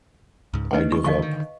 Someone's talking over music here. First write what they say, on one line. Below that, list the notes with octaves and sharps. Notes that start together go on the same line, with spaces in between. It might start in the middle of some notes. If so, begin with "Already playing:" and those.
I give up.
C#2 G#2
A3 D4 B4 D#5
C#6
D3 E3 F3 D#5 F5 C#6
D3 D#3